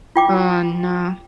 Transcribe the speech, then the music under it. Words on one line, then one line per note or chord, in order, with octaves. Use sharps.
Oh, no.
F4 G5 D6